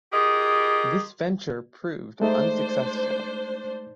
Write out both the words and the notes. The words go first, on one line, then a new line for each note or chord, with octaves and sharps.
This venture proved unsuccessful.
F4 G4 G#4 A#4 D#5
G#3 A3 D4 D#4 C5